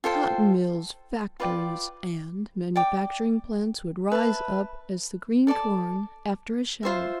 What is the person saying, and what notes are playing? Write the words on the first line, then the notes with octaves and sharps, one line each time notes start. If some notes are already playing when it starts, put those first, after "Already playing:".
Cotton mills, factories, and manufacturing plants would rise up as the green corn after a shower.
F4 A4 C5 G5
F4 B4 D5 G5
D5 G5 D6
B4 E5 A5
A4 D5 A5 D6
F4 C5 E5